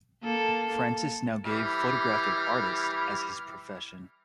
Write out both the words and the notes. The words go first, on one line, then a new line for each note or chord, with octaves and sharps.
Francis now gave 'Photographic Artist' as his profession.
A#3 A4
E3 G3 F6